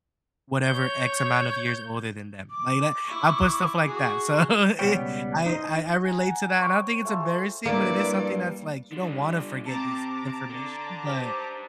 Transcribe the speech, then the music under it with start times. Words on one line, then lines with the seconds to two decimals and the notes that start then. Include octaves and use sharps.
whatever x amount of years older than them." like that I put stuff like that. So, eh, I I I relate to that, and I don't think it's embarrassing, but it is something that's like, you don't wanna forget these information, but
0.63 C#5 G6
2.51 D6
3.05 E4 C#6
3.86 F#4 G#4
4.79 C#2 B2 G3 B3 C#5 G5
5.46 D#4 C5 D#5
6.04 G#5 A#5
6.23 F#5
6.59 C5 C#5 G5 C#6
7.04 A3 F4 A4
7.20 G#4 C5
7.65 G2 G3 A#3 E4 D5
8.04 G3
8.92 D3 G3 D4
9.66 C3 C4 A5 A#5 D6
10.50 D3
11.04 G4 B4 C5